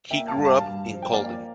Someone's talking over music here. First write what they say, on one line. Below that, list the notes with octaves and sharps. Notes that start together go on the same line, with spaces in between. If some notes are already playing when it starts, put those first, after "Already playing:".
He grew up in Kolding.
A#3 E5 G5
F5 A5
G2
F5 A5
G2
F3
G5
A#3 D5 F5